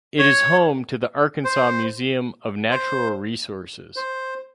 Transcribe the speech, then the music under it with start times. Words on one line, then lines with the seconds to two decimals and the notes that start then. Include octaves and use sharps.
It is home to the Arkansas Museum of Natural Resources.
0.19 C#5
1.45 C5
2.71 C5
3.96 C5